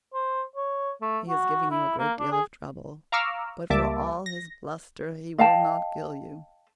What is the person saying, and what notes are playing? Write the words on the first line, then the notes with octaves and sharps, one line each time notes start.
He is giving you a great deal of trouble, but for all his bluster he will not kill you.
C5
C#5
A3
F#4
E4
A#3
D4
G#4
F5 A#5 C#6 D6 E6 F6
C#2 G3 A#3 E5 A5 D6
A#6
D#5 F5 G5 A5